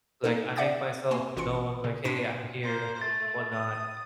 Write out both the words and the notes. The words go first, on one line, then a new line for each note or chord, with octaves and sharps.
like, I make myself known, like, "Hey, I'm here," whatnot,
A#3 D#4 A4
D5 E5 F#5 D6 G6 A6
A#3 G#5 C6
A1 F4 F#4 C6 C#7
A#2 C#3
A2 D4 C6 B6 D7 E7
A#3 C5
A3 A6
D#6